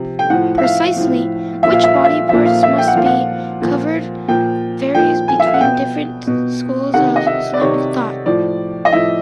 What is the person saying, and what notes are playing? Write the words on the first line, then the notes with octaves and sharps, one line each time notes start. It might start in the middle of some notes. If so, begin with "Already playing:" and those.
Precisely which body parts must be covered varies between different schools of Islamic thought.
Already playing: C3 F3
G5
A2 F3 F#5
E5
F5
A2 F3
A#2 F3 E5
F5
E5
F5
E5
A#2 F3 E5
F5
E5
G5
F#5
A#2 F3 F5
F#5
A#2 F3
A#2 F3 G5
A#2 F3 G5
G#5
E5
F5
F#5
B2 G5
B2
C3 D#3 F#5
D#5
E5
D5
C3 D#3 C#5
A2 F3 D5
D#5
A2 F3 E5